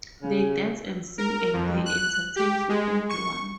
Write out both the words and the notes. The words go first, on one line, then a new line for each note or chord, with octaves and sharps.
They dance and sing and they entertain for everyone.
C#3
A#4
F2
F#6
G4
G#3
C#6